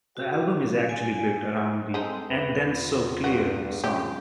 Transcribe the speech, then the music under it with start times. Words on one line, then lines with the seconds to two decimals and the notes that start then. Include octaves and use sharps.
The album is actually built around the "And Then So Clear" song.
0.17 F#4
0.89 G#5
1.94 G#3 C4 D#4 A4
2.29 E2 B4
2.72 F4
3.24 G2 F#4
3.84 C#3 F4 G4